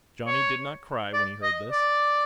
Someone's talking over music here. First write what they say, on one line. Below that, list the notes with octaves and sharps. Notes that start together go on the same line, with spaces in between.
Johnny did not cry when he heard this.
C#5
D5
D#5
D5